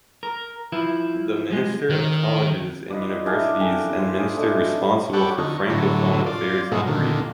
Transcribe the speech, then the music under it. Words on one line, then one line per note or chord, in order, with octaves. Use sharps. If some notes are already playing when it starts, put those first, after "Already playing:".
The Minister of Colleges and Universities and Minister Responsible for Francophone Affairs agreed.
A#4
F3 E4 B4
F3 G#3
D#3
D#4 F4 B4 D5
D4 E4 G#4 F5
A4 A#4 G5 G#5
C5
G#4
A3 D4 D#4
A4 B4 C#5 D5 F#5 G5
D3 D#4 C#6
A2 D3 F#3
F4 D5
G#2 B2 F3 F#3 G#3 A3
A#2 D3 D#3